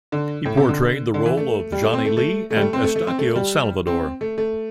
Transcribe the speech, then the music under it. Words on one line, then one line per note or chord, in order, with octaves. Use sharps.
He portrayed the role of Johnny Lee and Estaquio Salvador.
D3
A2
C3
D3
D3
E3
A3
G3
A3
C4
A3
A3
A3
G3
A3
C4
A3
A3
C4
A3
G3
C4
A3
A3